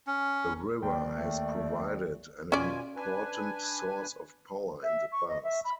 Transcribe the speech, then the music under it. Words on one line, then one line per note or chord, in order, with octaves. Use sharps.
The river has provided an important source of power in the past.
C#4
D#2 D5 G5
A3
B2 C#4 F4 D5 G#5
D4 B4 G#5
E5
C#6
D#5
E5
B5